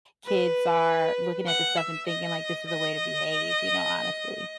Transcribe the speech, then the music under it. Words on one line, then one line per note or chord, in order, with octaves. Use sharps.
kids are looking at this stuff and thinking, like, this is the way to behave, you know, honestly.
B4
F#5
E5
D#5
D#5